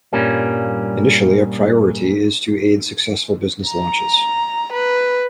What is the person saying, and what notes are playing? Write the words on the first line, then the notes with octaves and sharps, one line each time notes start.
Initially, a priority is to aid successful business launches.
G2 A#2 G3 A#3 C#4
A#5
B4